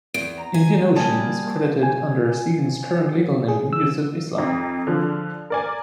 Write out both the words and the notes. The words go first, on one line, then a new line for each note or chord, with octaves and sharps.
"Indian Ocean" is credited under Stevens' current legal name, Yusuf Islam.
E2 D7
A#5
G#5
G3 A#3 G#4 A5
G#5
G#4
E6
F2 D#4
D3 F3
A#4 D5 G#5